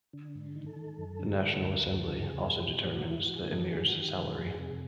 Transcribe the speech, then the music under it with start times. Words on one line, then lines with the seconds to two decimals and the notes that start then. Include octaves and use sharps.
The National Assembly also determines the Emir's salary.
0.13 D3
0.35 G#2
0.56 D#3
0.66 A4
0.76 D#3
0.98 F#2
1.19 D3
1.40 D3
1.61 D2 A#4
1.82 D2
1.93 A4
2.04 C#3
2.25 E2 G#4
2.46 B2
2.57 G4
2.67 B2
2.88 G#2 F#4
3.04 E4
3.10 E3
3.20 F#4
3.31 E3
3.36 G#4
3.52 G#2 A4
3.67 G#4
3.73 D#3
3.84 F#4
3.94 D#3
4.00 G4
4.15 F2 G#4
4.36 F2
4.47 G#4
4.58 C3